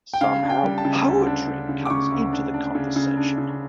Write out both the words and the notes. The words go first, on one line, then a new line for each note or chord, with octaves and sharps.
Somehow poetry comes into the conversation.
G5
C#3 F5
D4
G5
G3
A5
C#3
D2
D4
C#3
C#3
D6
C#3 C#6
D2
D4
D4
C#3
C#3
D4
C#3